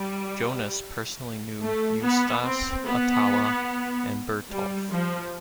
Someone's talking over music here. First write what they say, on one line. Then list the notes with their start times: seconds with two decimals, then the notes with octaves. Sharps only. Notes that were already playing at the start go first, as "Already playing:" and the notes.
Jonas personally knew Eustace, Attala, and Bertulf.
Already playing: G3
1.61 A3
2.02 B3
2.43 C4
2.85 B3
4.49 G3
4.90 F3